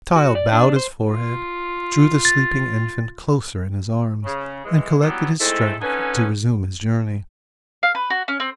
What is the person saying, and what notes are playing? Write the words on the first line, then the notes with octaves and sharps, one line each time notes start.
The child bowed his forehead, drew the sleeping infant closer in his arms, and collected his strength to resume his journey.
F#4
D5
D4
C5
F4
A6
C#3
E3 G#3
E3 F#3 G3 B3
G#3 A3 C4 D#4 E4 A4
D3 C#4 D#4 B4 G#5
F5
B4
F#4
C#4
C4